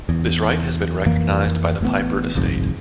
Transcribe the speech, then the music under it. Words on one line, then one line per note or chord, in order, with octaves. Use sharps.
This right has been recognized by the Piper estate.
E2
F2 E3 A#3
A1 A2 C#3 B3
G1 C2 F2 G#2